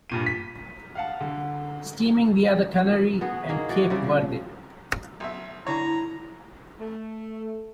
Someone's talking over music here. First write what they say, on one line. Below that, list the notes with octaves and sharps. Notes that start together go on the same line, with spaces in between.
Steaming via the Canary and Cape Verde.
G2 A#2 D#7
B6
F5 F#5 A5
D3
B3 F#4 G#4
A#3 G#4 D#5
E3 F#4 D5
C#3 G3 C4
F3
B1 E5
D3 E4 C#5 A#5
A3